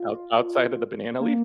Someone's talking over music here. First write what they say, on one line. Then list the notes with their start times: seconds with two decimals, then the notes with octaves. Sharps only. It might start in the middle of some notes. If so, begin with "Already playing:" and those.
Out outside of the banana leaf?
Already playing: F4
1.20 A#3